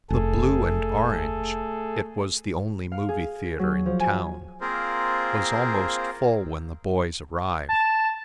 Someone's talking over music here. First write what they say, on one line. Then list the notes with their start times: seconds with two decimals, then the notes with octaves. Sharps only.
The Blue and Orange--it was the only movie theater in town--was almost full when the boys arrived.
0.10 F1 A3 G#4 A4
2.92 F5
3.09 G#4
3.59 F#3
3.86 F3
4.00 G#5
4.61 A#3 C4 F4 G#4 A#4 C5
7.69 A5